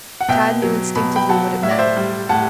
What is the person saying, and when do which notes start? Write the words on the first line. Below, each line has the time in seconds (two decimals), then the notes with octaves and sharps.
Tad knew instinctively what it meant.
0.21 F#5
0.28 B2 E5 G5
0.62 F#3
0.96 B2 B5
1.16 G5 B5
1.29 F#3 F#5 A5
1.63 A2 E5
1.71 D5
1.79 C5 E5
1.97 G3
2.29 A2 F#5 A5